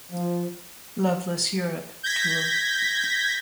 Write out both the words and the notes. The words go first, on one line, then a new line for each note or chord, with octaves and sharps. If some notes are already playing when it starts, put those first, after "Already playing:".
Loveless Europe Tour.
F3
G6 G#6 A#6 B6